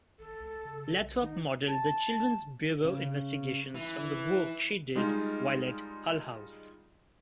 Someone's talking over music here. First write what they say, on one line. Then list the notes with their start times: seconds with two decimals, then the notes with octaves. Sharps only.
Lathrop modeled the Children's Bureau investigations from the work she did while at Hull-House.
0.19 G#1 A4
0.40 C#2
0.65 C#3
0.99 B1
1.21 D#3 D#4
1.67 A5
2.84 C#3
3.75 E3
4.95 G3 G#3 D#4 F4